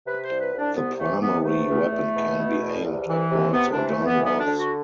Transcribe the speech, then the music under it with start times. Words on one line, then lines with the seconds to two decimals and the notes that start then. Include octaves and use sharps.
The primary weapon can be "aimed" upwards or downwards.
0.06 C3 B4
0.23 C5
0.30 C2
0.40 B4
0.53 C2
0.58 D4
0.75 C3 B3
0.99 E3 A3
1.21 C3 B3
1.45 E2 A3
1.69 E2
1.91 E2
2.15 B2
2.38 B2
2.62 E2
2.84 C2
3.07 E3
3.31 C3
3.53 C3 B3
3.72 D4
3.78 E3
3.89 A3
4.00 E3
4.06 B3
4.23 D2 B3
4.40 D4
4.47 D3
4.59 F#4